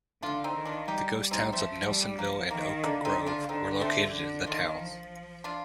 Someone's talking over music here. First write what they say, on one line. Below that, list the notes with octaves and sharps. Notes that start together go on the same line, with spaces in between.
The ghost towns of Nelsonville and Oak Grove were located in the town.
D3 D4 F4
C4 D#4
D#3
D4 F4
G3 D#4 G4
C4 D#4
F3 A3 C4
G3
F3 A#3
D#3 A#3
D3 A#3 D4
C4 D#4
D4 F4
D3 C4 D#4
A3 C4
D3
D#3 D4 F4
F3
D4 F4